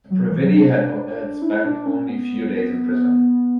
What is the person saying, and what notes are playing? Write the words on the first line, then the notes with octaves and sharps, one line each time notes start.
Previti had spent only few days in prison.
F#3
E3
F#3
D4
D4
E4
D4
C#4
B3